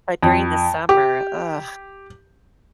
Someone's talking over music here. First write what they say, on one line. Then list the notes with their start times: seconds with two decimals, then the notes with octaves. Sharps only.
but during the summer, ugh,
0.23 F2
0.89 G4